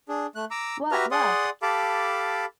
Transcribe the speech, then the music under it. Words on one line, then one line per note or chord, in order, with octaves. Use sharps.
What luck!
D4 G#4
A3 F#6
A#5 D6 E6
F#4 G4 B4 E5 A#5 F6
G#4 D5 F#5 C6 D#6
G4 A4 F5 A5 B5 D6